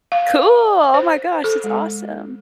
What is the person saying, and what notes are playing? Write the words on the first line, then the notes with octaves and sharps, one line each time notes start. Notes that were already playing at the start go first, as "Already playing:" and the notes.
Cool! Oh my gosh. That's awesome.
F5
C5
A4
G#3